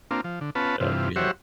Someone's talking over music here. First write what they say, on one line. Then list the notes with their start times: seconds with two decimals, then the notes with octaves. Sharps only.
Uh, do you have
0.11 A#3 C4 D4 F4
0.24 F3
0.41 D3
0.55 B3 C#4 F4 B4 A5
0.81 G2 C3 E3 F4
1.16 F#3 F#4 G4 C5 C#5 E5